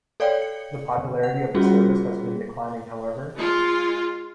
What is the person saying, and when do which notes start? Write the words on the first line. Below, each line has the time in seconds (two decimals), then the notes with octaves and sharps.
The popularity of the service has been declining, however.
0.20 A4 C#5 D5 F5 G5
0.42 C#7
0.98 D3
1.23 F#5
1.54 G3 C#4 F4 F#4 G#4
3.36 G#3 F4